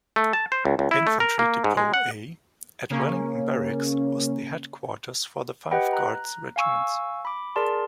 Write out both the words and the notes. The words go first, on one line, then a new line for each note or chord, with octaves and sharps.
Infantry Depot A at Wellington Barracks was the headquarters for the five guards regiments.
A3
A5
C5
C#2
C#2
E4
A3
A#4
A#3
G#2
G#3
F#5
C#3 A#3 C#4
G4 B4 D#5 F#5 G5 B5
A#5 F#6
F5 G#5 C#6 E6
B5 D6
G#4 A#4 D5 A5 C6